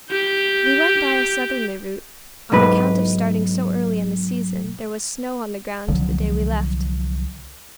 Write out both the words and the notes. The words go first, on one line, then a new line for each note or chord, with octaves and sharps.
We went by a southerly route, on account of starting so early in the season there was snow on the ground the day we left.
G4 G6
B1 G#2 B4
C2 D3 F3 F#3